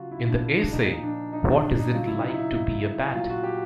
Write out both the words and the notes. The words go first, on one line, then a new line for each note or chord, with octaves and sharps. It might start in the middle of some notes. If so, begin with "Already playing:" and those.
In the essay What is it like to be a bat?
Already playing: C#3 F#3 F4 F#4
E4
D4
E4
D4
A#2 F3 D#4
D#4
D4
D#4
D#4
D4
D#4
C#3 F#3 F4
E4
D#4
E4
A#2 F#3 F4
F#4
G4